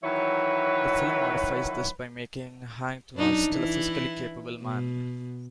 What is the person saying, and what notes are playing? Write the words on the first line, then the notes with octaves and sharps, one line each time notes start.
The film modifies this by making Hang Tuah still a physically capable man.
D#3 E3 F#3 B4 C#5 E5
F#2 D4 D#4
E3 E4
B2